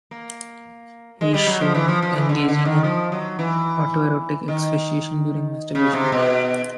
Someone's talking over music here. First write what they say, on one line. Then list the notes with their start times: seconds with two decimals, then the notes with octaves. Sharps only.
He is shown engaging in autoerotic asphyxiation during masturbation.
0.11 A#3
1.21 G#3
1.34 G3
1.47 F#3
1.61 F3
1.75 E3
1.88 F3
2.02 F3
2.16 E3
2.29 D3
2.48 D3
2.65 D#3
2.84 F3
3.12 F#3
3.39 E3
4.48 D#3
5.75 C#3
5.93 C3
6.12 B2